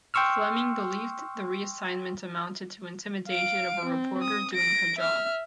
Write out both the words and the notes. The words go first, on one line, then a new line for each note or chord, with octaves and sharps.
Fleming believed the reassignment amounted to intimidation of a reporter doing her job.
G5 C6 C#6 E6 F6
F5 D7
C4
D#6
A#6 D7
E5 F6